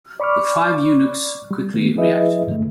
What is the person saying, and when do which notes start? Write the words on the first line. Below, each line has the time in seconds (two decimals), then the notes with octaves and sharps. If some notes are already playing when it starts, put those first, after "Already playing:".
The five eunuchs quickly reacted.
0.20 D5 B5 C#6 D6 F6
1.51 G3
1.74 D#3 A3 B3
1.96 F3 E4 G#4 B4 D#5 E5
2.47 G2 D3 A3